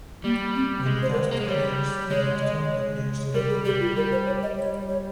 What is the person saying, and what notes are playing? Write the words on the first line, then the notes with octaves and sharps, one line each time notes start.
When the dust clears, the asteroid appears obliterated.
G3 A#3
C4
G#3
C5
A#4
C5
A#3
G#3
G3 C#5
G#3 C#5
D#5
C#5
G3 A#4
G#4
G3 G4
F4
G3 A#4
C5
C#5
D#5
C#5
C#5